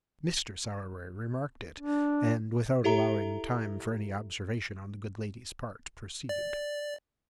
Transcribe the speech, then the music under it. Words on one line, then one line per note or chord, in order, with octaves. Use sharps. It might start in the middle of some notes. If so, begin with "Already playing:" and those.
Mr. Sowerberry remarked it and, without allowing time for any observation on the good lady's part, proceeded.
D4
E4 G4 A4 E5 A#5
D5